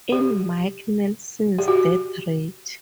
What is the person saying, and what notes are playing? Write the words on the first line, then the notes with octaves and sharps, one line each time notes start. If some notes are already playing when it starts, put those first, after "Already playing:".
In Mike Nelson's Death Rat!
G4
G4
F#4